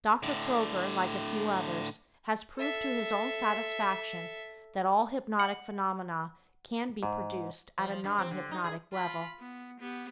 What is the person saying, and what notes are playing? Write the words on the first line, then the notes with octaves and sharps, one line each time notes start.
Dr. Kroger, like a few others, has proved to his own satisfaction that all hypnotic phenomena can be produced at a non-hypnotic level.
A2 D3
A4 E5
F#5
G#2
F3
F3
G2
C4
D3
D#4
G#4
F4 B5
B3
B3 G4